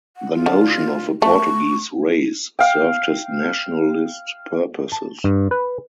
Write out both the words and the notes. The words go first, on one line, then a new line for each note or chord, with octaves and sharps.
The notion of a Portuguese "race" served his nationalist purposes.
F#5
F4
D3
A3 C#6
F5 G5
A5
G2
B4